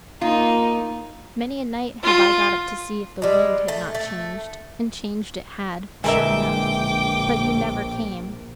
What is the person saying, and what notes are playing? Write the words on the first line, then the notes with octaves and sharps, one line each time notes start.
Many a night have I got up to see if the wind had not changed: and changed it had, sure enough; but you never came.
A#3 D#4 F4
F4
G3 G#3
A3
A3
A#1 D3 E3 G#3 A#4 E5 G5 D6